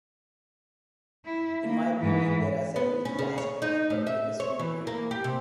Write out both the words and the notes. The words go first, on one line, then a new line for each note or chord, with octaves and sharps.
In my opinion, there are several key aspects that make a school great.
E4
A#3
G#2 E3
B3
C#4
C#3
C#5
D#4
A2
E5
C#5
E3
A#3
G4
C3